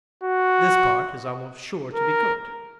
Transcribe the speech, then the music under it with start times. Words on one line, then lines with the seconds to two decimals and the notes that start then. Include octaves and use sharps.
This part is almost sure to be good.
0.24 F#4
1.94 A#4